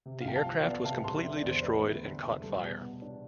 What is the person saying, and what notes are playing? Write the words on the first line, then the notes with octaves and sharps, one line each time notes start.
The aircraft was completely destroyed and caught fire.
C3
F5
C2 G5
F5 A5
F3
B3 D5 F5
C3 F5 A5
C2 A5 C6
D3 E5
D5
E2
C5
A3 B4 D5
E2
D3
E2
G3 A4
B2
B3
D4